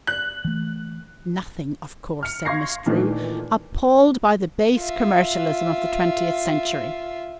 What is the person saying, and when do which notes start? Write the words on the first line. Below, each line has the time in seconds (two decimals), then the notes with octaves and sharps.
"Nothing, of course," said Miss Drew, appalled by the base commercialism of the twentieth century.
0.07 F#6
0.45 E3 A3
2.23 F6 C#7
2.45 F5 C6 C#6 G#6 A#6 C7
2.86 A#2 D#3 E3 A3
4.76 F4 E5